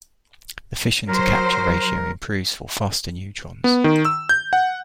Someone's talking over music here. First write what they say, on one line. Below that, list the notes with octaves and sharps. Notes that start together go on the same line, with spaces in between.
The fission-to-capture ratio improves for faster neutrons.
F#3 A#4 C5
B3
D#3
E6
G6
F#5